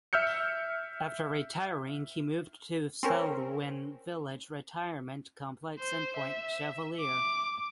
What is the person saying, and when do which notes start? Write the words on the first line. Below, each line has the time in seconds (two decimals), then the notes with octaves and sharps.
After retiring he moved to the Selwyn Village retirement complex in Point Chevalier.
0.13 E5 E6 F6 G6 C#7
3.03 C4 C#4 A#4
5.79 C5
6.17 E5
7.01 D6